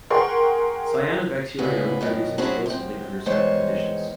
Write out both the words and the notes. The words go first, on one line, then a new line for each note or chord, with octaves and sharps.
Cyanobacteria reproduce explosively under certain conditions.
G#4 A#4 F#5 G5 C6 C#6
D2 C#3 B3 E4
F#2 B2 D#3
F#3 C4 C#4 E4 F#4 G#4
F#2 C4
E2 D#3 G#3 C5 C#5